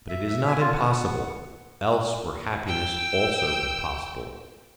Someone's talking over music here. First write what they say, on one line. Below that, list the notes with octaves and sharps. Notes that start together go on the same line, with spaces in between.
But it is not impossible: else were happiness also impossible.
E5
E5
G#5
F4
F#5
G5 E6